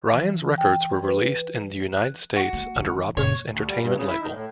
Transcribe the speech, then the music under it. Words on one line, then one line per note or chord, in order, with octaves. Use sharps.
Ryan's records were released in the United States under Robbins Entertainment label.
E3
G5
B4
F#6
F#4
A#3
E2 D#3
F#1 A#2 C#5
D2
G3
G2
C#3
E4
D#3
A2